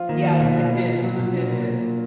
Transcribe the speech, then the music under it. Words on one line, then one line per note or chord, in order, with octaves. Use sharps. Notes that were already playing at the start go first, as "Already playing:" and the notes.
Yes, it is. It is.
Already playing: F3 F4
D#3 A#3
F3
B2 F3
F3
F3
F3
F#3
A#2
D4
A#3